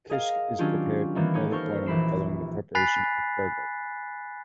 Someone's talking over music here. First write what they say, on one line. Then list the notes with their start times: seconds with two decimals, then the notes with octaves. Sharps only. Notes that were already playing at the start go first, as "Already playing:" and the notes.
Kishk is prepared in early autumn following the preparation of burghul.
0.10 G#4 A#4 D#5 F5
0.59 D#3 F#3 C#4 D4 F4 G4
1.15 D#3 E3 G3 A#3 B3
1.34 C#4 D#4 G4 C#5
1.51 A4 A#4 C5 C#6 F6
1.86 A#1 E3 G4 B5 C7 E7
2.75 G#5 B5 F#6 A6 B6 C7